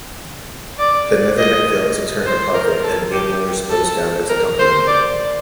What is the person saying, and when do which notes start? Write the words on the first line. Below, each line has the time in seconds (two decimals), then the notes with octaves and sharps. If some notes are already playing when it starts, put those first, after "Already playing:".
The Nethernet failed to turn a profit, and GameLayers closed down as a company.
0.79 D5
1.38 D#5
2.25 C5
2.54 A#4
2.83 A4
3.12 G4
3.70 A4
4.29 A#4
4.58 C5
4.87 D5